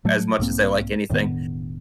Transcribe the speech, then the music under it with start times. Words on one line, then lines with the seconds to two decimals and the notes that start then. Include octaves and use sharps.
as much as they like anything.
0.05 A2 F#3 A3
0.39 B1 G#2 A#3 C4
1.10 E1 A2 D#3 B3